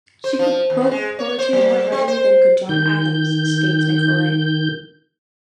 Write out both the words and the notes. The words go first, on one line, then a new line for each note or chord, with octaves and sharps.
"She could quote poetry more readily than could John Adams," states McCullogh.
C5
F3
D#2
G#3
C#5
C5
F#3
C4
C5
D#3 G6